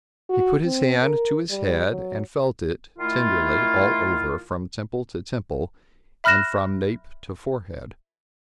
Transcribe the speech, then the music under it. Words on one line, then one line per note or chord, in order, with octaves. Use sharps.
He put his hand to his head, and felt it, tenderly, all over, from temple to temple, and from nape to forehead.
F#4
C4
A#4
G3
F#3
D#3 A3 E4 F4
E5 B5 F6 F#6 A#6 E7